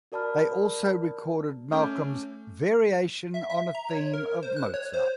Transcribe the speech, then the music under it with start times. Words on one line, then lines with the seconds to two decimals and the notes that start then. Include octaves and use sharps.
They also recorded Malcolm's "Variations on a Theme of Mozart".
0.12 F#4 A#4 D5 A5 B5 F6
1.72 A3 C#4 D6 G6
3.34 E5
3.50 E5
3.75 A#5
3.91 C#5
4.13 A#4
4.43 C5
4.56 F#6
4.74 C#5
4.94 C5